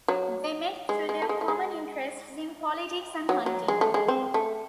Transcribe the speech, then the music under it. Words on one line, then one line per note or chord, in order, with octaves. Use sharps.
They met through their common interests in politics and hunting.
F#3
G#3
G#3
A3
G#3
A3
G#3
F#3
F#3
G#3
A3
G#3
C4
A3